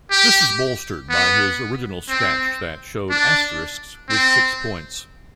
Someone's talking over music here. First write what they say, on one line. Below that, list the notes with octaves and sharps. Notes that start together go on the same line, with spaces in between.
This is bolstered by his original sketch that showed asterisks with six points.
G4
B3
C4
D4
C4